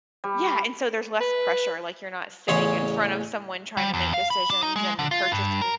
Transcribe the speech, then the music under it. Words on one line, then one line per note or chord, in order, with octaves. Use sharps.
Yeah, and so there's less pressure, like, you're not sitting in front of someone trying to make decisions and purchasing
G3
B4
A1 E2 C#3 C#4 C#5 C6
G3
E2
F5
B5
D4
D#4
G#3
D3
F4
G2
A#4